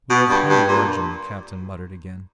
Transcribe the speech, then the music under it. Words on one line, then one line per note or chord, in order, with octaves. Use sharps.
"We are of humble origin," the captain muttered again.
B2
G2
G2
A#2